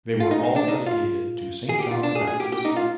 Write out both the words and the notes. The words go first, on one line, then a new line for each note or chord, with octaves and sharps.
They were all dedicated to Saint John the Baptist.
F4
D#4
D#4
D4
D#4
F4
G#4
G4
F4
D4
G#4
G#4
G4
G4
D#4
F4